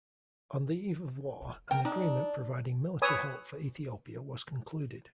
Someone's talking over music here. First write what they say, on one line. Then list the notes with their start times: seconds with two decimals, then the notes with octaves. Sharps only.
On the eve of war, an agreement providing military help for Ethiopia was concluded.
1.71 A#4 G5
1.85 D4 D#4
3.02 B4 C#5 G#5 D#6 E6